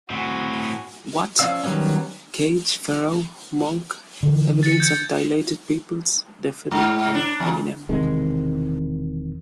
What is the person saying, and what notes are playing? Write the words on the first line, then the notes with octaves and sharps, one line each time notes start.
What?, Cage, Pharoahe Monch, Evidence of Dilated Peoples, Defari and Eminem.
A2 C4 F#4 G#5
F3 C#4 D5 F5 E6
D#3 F#3 G3 B3 C#4
D3 E3
A6 C#7
G6 G#6 C#7
G#2
D4
E2
E1 C3 D#3 G#3